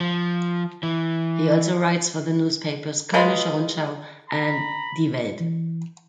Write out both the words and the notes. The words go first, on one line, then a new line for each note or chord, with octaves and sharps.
He also writes for the newspapers Kölnische Rundschau and Die Welt.
F3
E3
G#3 F4 B4
A#5 B5
E3